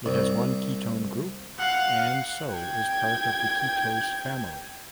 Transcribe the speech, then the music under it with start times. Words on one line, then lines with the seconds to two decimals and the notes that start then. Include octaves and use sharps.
It has one ketone group and so is part of the ketose family.
0.06 C2
1.58 F5 F#5
2.50 G5 G#6